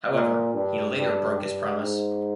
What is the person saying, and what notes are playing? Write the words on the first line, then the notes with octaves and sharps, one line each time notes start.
However, he later broke his promise.
A#2
G2
G2
G2
G#2